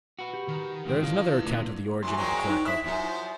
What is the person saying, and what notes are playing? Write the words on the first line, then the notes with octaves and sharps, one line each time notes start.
There is another account of the origin of the Cornucopia.
F#4 B4
G4
D#3
F2 G#2 C4
F3 D4 E4 F4 B4 F5
D2 A#2
F#2 D#3 E3 F#3 C6
A#2 F#3 G#3 C4 C#5
D#4 F#6
E4 D#6 B6
F#2 F3 C5